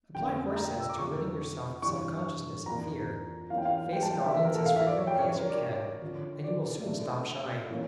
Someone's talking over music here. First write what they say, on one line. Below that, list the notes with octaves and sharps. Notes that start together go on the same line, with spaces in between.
Apply horse-sense to ridding yourself of self-consciousness and fear: face an audience as frequently as you can, and you will soon stop shying.
F2 D3 A3 D4 G5
A#5
E6
D6
F2 D3 A3 C#6
G2 E3 G3 C#6
F2 E3 A#3 D4 A#5
E2 E3 A#3 C#4 F5
G5
F5
G5
A5
G5
E5
E2 E3 A3 E5
A#4
A4
F5
E5
D5
C#5
G5
C#3 G3 D4 C#5
C#5
A#4
D5
C#5
D3 F3 C#4
D5
A#2 A3 D4
E3 A#3 C#4